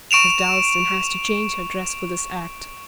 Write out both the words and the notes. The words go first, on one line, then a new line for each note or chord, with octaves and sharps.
"Miss Dalstan has to change her dress for this act."
C#6 D7 E7 F7